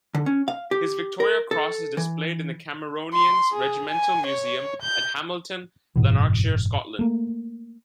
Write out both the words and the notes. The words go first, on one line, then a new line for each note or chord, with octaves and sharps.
His Victoria Cross is displayed in the Cameronians Regimental Museum at Hamilton, Lanarkshire, Scotland.
D3
C#4
F5
G4
A#4
A4
E3
C6
G#4
G#5
C#5
G6
F#1 G#2 B2 E3
A3 A#3